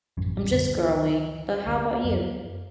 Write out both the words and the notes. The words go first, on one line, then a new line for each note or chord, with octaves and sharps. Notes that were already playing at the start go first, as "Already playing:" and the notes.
I'm just growing, but how 'bout you?
A1 F#2 C#4
C#2 F#2 A#2 D3
D2
F#2